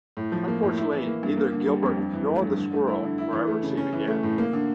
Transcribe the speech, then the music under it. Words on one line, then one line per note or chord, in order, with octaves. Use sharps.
Unfortunately, neither Gilbert nor the "Squirrel" were ever seen again.
A2
F3
A#3
A2
E4
E3
A#3
G2
A#3
D3
G3
F2
G2
E3
A3
G2
D3
A3
E4
D3
E4
E3
A3
C#3
C#4
E3
A3
A2
A#3
D3